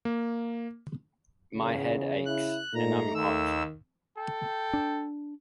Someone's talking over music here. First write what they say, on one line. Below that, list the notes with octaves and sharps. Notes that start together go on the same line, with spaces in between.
My head aches, and I'm hot.
A#3
E2 C#3
E4 F#6
A#2 A3 D#4 A#5
D#2 D#3 E6
A4 G5
D4